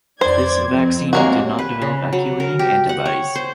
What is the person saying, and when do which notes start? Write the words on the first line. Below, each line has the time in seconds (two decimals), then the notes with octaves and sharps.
This vaccine did not develop agglutinating antibodies.
0.21 F2 C5 D5 G#6
0.66 F2 C4
1.13 G#3 A#3 C4 F#4 G4 C#5
1.59 B4
1.82 C#3
2.13 F#3
2.40 A#4
2.59 G4
2.89 F#5
3.06 C#5
3.35 C5